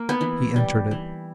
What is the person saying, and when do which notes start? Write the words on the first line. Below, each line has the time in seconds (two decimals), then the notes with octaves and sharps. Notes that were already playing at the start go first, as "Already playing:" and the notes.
He entered it.
Already playing: A#3
0.09 B3
0.21 E3
0.56 G3
0.91 E3